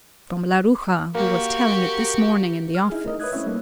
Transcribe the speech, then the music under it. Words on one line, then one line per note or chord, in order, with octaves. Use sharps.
"From Laruja, who was telling it this morning in the office."
A#3 F#4 G4 A#4 F5
F6
D#4 E4 G#4
A3 A#4 D#5
B4 C#5 E5 D#6 F#6 G#6
A3 C4 C#4 E4 C#5 E5
G3 A3 A#3 D#4